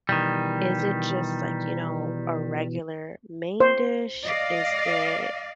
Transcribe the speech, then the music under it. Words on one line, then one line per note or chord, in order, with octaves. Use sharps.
is it just, like, you know, a regular main dish? Is it
B2 D#3 E3 G3
C5
D5 D#5 F5